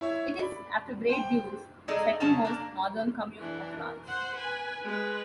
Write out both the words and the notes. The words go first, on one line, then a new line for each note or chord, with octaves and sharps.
It is, after Bray-Dunes, the second most northern commune of France.
E4 C#5 E5
D5 B5
C5 G5
G#3 D#4 G#4 A4 D5 D#5
C#3 C#4 G#4 A5 A#5
A#3 D4
E3 D4
A#4
C5 F#5
B4 G#5
G#3 B4